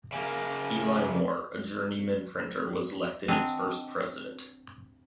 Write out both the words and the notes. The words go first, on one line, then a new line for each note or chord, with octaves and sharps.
Ely Moore, a journeyman printer, was elected its first president.
C#3 A#3
C4 D4 D#5 F#5 G#5 A#5